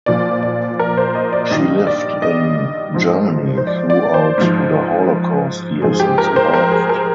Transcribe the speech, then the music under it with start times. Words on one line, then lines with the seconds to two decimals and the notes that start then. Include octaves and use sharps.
She lived in Germany throughout the Holocaust years and survived.
0.06 A#2 F3 D5
0.43 D5
0.79 A#4
0.97 C5
1.15 D#5
1.33 D5
1.51 G2 D#3 D#5
1.87 D5
2.22 D#5
2.94 G#2 F3
3.58 C5
3.67 D5
3.90 D5
4.14 C5
4.38 G#2 F3
5.82 G#2 F3 G#4
5.93 G#4
6.00 G4
6.18 A#4
6.36 C5
6.54 A#4
6.72 G#4
6.89 A#4